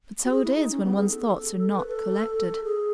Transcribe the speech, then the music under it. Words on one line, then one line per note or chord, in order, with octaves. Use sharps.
But so it is when one's thoughts are not collected.
F#4
G#4
E4
D#4
C#4
B3
G#4
A4
B4
A4
G#4